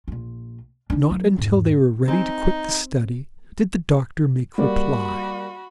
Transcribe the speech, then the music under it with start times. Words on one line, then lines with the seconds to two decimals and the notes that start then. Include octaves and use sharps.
Not until they were ready to quit the study did the doctor make reply.
0.08 A#1 F4
0.90 D4 D#4
1.11 F#3 E4
1.38 E2 G#2
2.08 C4 D#4 G#5
4.58 G3 A#3 F#4 D5 B5